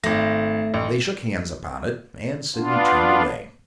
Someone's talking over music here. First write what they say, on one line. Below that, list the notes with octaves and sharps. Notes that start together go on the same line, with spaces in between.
They shook hands upon it, and Sydney turned away.
G#1 A3 A#6
A1
B3 D4 F4